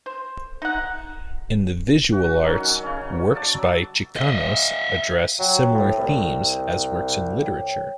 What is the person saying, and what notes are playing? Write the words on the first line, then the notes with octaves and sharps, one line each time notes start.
In the visual arts, works by Chicanos address similar themes as works in literature.
C5
D#4 F#5
F#4
D#3 F#3 C#4
C#3 C#4
D5 A5
F#3
D#5 E5
F#3 G5
A2
C2
C#5 G5